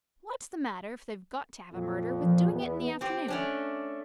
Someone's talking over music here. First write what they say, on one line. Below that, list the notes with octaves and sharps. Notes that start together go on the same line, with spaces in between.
What's the matter, if they've got to have a murder, with doing it in the afternoon?
F2 A#2
F3
E2 B3
C4 G4
A3 C#4 D4